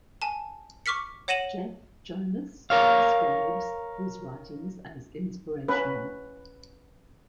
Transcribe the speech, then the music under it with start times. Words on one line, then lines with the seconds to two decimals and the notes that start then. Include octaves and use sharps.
Jeff Jonas describes his writings as inspirational.
0.22 G#5 A5
0.86 C#6 D6 F6 B6 C#7
1.28 C#5 F#5 A#6 D#7 E7 F#7
2.70 A#4 C#5 F5
5.68 C#4 B4